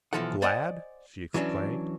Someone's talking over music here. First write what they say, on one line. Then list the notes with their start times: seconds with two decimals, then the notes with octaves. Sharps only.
"Glad!" she exclaimed.
0.13 B1 A#2 E3 F3 A4 F#5
0.42 C5 D5 D#5 F#5 G#5
1.34 E3 F#3 C#4 D4